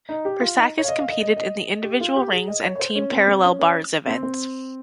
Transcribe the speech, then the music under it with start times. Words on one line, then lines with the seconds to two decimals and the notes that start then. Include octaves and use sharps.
Persakis competed in the individual rings and team parallel bars events.
0.09 D#4
0.25 G4
0.41 F4
0.56 D#4
0.78 C#5
0.84 F5
0.88 D#5
0.99 F5
1.10 D#5
1.20 D#5
1.37 D#5
1.84 G4
2.00 F4
2.16 G4
2.32 G#4
2.48 D#5
2.63 C#5
2.75 C#5
2.79 C5
2.95 C#4
3.12 C4
3.28 C4
3.44 C#4
3.59 C#4
4.07 C4
4.23 C4